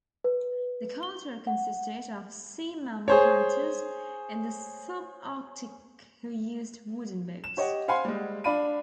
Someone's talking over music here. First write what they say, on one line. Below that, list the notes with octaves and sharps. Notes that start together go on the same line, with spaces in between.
The culture consisted of sea-mammal hunters in the subarctic who used wooden boats.
B4
G7
F#5
G#4 C5 C#5
E7
G4 C#5 D#5 F#5
C5 F5 F#5 G#5 B5 C6
G3 G#3
D4 D5 F5 B5 D#7